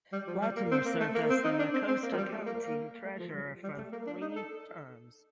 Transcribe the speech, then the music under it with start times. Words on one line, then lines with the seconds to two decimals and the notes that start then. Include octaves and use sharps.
Latimer served as the Mecosta County treasurer for three terms.
0.13 G3
0.27 F3
0.42 G3
0.57 A#3
0.71 C4
0.85 A#3
1.00 A3
1.15 A#3
1.30 C4
1.44 D#4
1.59 D4
1.73 C4
1.88 C4
2.03 A#3
2.13 F3
2.17 G3
2.32 A3
2.46 A#3
2.61 A#3
3.05 A3
3.19 F3
3.34 G3
3.63 G3
3.78 A3
3.92 A#3
4.07 D4
4.21 D#4
4.36 A4